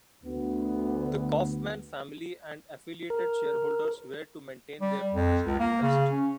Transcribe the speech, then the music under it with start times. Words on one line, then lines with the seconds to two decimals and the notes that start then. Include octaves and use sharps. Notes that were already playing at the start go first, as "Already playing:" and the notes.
The Koffman family and affiliated shareholders were to maintain their ownership interest.
0.25 D2 B3
3.10 A#4
4.81 G3
5.13 F2
5.46 C#2
5.59 A#3
5.82 C#3
6.11 C#4